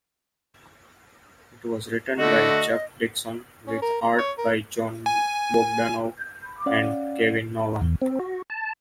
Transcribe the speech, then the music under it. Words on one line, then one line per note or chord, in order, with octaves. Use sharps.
It was written by Chuck Dixon, with art by Jon Bogdanove and Kevin Nowlan.
D3 A3 F#4 D#5
C#4
A#4
A#5
C#5
A#4
G#5
C#4 D5 F5 F#5
E2
C4
F#4
A5